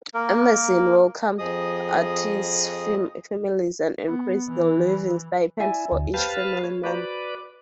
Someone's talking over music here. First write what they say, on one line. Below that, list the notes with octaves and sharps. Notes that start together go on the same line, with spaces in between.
Anderson welcomed artists’ families and increased the living stipend for each family member.
A#3 A#4
F2 F3 G#4 D#5 D#6
B3
E3
E4 D5 E5 G#5
D2
G4 B4 C5 F5 A5
C#5
F#4 B4 C5 D5 A#5